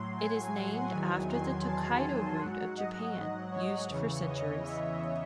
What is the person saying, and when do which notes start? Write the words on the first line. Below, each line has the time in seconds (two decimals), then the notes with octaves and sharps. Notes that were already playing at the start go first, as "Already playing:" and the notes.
It is named after the Tokaido route of Japan, used for centuries.
Already playing: A2 F#3 C6
0.17 G#5
0.54 F#5
0.91 E2 D#3 F#3 G#5
1.28 C6
1.66 A5
2.03 G#5
2.39 G#2 F#3 F#5
2.77 D#5
3.51 C#5
3.89 E2 C#3 E3
4.25 D#5
4.63 E5